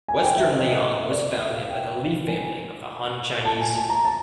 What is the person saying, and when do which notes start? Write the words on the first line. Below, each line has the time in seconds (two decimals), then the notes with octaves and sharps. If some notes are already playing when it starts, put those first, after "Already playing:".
Western Liang was founded by the Li family of the Han Chinese.
0.08 G#5
0.23 G5
0.37 E5
0.53 D#5
1.11 D5
1.26 D#5
1.40 E5
1.55 F5
1.69 G5
2.28 G#5
3.45 A5
3.61 G#5
3.75 A5
3.89 A#5
4.05 A5